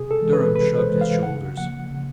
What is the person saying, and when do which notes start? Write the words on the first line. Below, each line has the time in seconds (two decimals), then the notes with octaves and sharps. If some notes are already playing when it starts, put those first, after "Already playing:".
Durham shrugged his shoulders.
Already playing: C3 G#4
0.11 A4
0.21 E3 G#3
0.33 B4
0.55 C3 B4
0.77 C5
0.89 E3 G#3
1.01 F5
1.23 C#3 F#5
1.57 F3 A#3 F#5
1.91 C#3